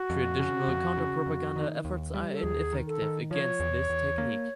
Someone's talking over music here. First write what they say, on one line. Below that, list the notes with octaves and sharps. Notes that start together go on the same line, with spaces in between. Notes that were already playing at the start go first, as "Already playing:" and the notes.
Traditional counterpropaganda efforts are ineffective against this technique.
Already playing: F#4
F2
C#3
F2
C#3
F2
D#3
D#2
G3
A4
D#2 G#4
D#3
A4
D#3
F3 C#5
E2
E2
A#3